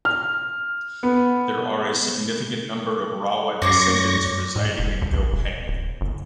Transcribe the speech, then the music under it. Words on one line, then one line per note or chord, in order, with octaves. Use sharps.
There are a significant number of Rawa descendants reside in Gopeng.
F6
B3
F#2 C#5 D5 C6 C#6 A#6
A2
F1
D#2
A#1
E1
D#1
G1